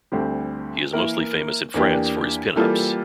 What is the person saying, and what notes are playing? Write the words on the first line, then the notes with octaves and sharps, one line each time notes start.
He is mostly famous in France for his pin ups.
D2 D3 G3 C4 G4
E3 A#3 E4 A#4
E2 E3 A#3 D4 G4
E3 G3 A#3 F4 A4